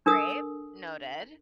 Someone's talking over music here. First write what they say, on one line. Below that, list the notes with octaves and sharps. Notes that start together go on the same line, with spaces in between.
Great. Noted.
D4 A4 A#4 D#6